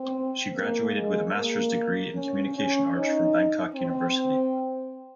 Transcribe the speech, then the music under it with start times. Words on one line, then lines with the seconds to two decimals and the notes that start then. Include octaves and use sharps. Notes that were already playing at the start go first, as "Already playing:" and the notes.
She graduated with a master's degree in communication arts from Bangkok University.
Already playing: C4
0.55 A#3
0.94 G#3
1.34 A#3
2.15 C#4
2.55 C#4
2.95 D#4
3.75 C4